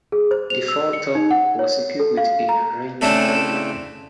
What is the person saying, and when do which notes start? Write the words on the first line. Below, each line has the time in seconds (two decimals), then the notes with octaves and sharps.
The fore-top was equipped with a rangefinder.
0.12 G#4
0.31 C5
0.50 F7
0.68 E6
0.93 C#7
1.15 D#4
1.31 F#5
1.59 C#5
2.00 A4
2.17 F5
2.49 A#5
3.01 C#3 A3 C4 D4 E4 A4